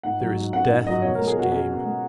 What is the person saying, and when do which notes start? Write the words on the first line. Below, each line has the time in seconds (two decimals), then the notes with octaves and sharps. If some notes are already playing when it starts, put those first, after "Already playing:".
There is death in this game.
0.03 G#2 F#5
0.20 F#3
0.37 G#2
0.53 C#4 F#5
0.70 G#2
0.86 F#3 D#5
1.02 B2 C#5
1.15 A#4
1.19 G#3
1.27 G#4
1.36 B2 F#4
1.51 C#4 G#4
1.69 B2
1.85 G#3